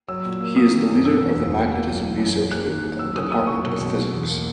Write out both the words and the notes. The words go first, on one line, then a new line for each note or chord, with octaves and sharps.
He is the leader of the magnetism research group at the Department of Physics.
F#3 E6
A#2
A#3
A#3 D#6
D#3
F#2
B2 E6
E2
E1
A#3
B2
B1
E3
F#2
G#3
A#3 F#6
D#3
D#2
F#3 E6
C#3 D#6
A#3 D#6
F#3 C#6
B2
B1
B2
E2
A#3